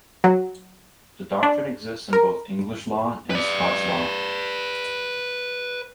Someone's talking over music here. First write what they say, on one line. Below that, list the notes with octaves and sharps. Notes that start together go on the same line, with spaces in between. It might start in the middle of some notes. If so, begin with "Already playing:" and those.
The doctrine exists in both English law and Scots law.
F#3
D4
A#4
B4 D5